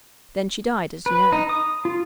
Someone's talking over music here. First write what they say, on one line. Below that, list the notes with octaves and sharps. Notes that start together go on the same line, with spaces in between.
Then she died, as you know.
B4
D#4
D#6
F4